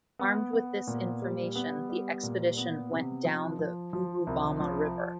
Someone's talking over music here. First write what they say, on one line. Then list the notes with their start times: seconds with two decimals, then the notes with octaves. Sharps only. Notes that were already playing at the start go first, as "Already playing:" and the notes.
Armed with this information the expedition went down the Urubamba River.
0.19 B3
0.53 B3
0.87 A#2
1.22 G3
1.55 B3
1.89 G3
2.23 A#2
2.57 B3
2.91 C3
3.25 F3
3.59 F3
3.93 F3
4.27 C2
4.60 F3